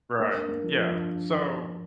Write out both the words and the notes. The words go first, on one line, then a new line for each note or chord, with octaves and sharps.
Right. Yeah. So,
A#3
D4
A#3
F3
F3
D4